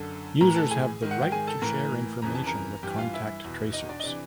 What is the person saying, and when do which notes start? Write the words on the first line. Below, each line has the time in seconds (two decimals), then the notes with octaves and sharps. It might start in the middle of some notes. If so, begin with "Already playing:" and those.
Users have the right to share information with contact tracers.
Already playing: F#2 D3 A4 A5
0.41 A2 E3 A#4 A#5
0.56 A4 A5
0.71 G#4 G#5
1.02 G#2 D#3
1.11 F#5
1.22 G5
1.32 G#4 G#5
1.47 A4 A5
1.62 A2 E3 A#4 A#5
2.22 F2 C#3 E3 A#5
2.35 A5
2.47 A#4 A#5
2.83 G2 E3 G4 G5
2.98 F4 F5
3.14 E4 E5
3.44 E2 B2
3.73 D#4 D#5
3.89 D4 D5
4.00 D#5
4.04 C3 E3 D4 D5